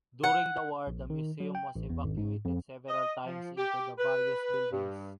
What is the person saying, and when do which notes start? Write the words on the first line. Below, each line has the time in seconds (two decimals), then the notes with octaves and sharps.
During the war, the Museum was evacuated several times into the various buildings.
0.24 F#5
0.87 A#1
1.10 D#3
1.40 F#3
1.55 G5
1.75 A1
1.90 E2
2.04 G#1
2.17 G#2
2.45 F2
2.88 D#5
3.25 F3
3.56 G4
3.98 B4
4.72 G2